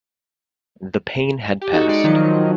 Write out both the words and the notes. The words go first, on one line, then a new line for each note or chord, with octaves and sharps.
The pain had passed.
G4
D#4 F#4 A4
G#3 D5 C#7
D#3 F3 F#3